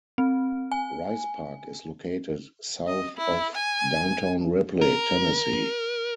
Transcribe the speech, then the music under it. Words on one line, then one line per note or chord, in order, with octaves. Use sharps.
Rice Park is located south of Downtown Ripley, Tennessee.
C4
G#5
D#5
E4
G#5
A#4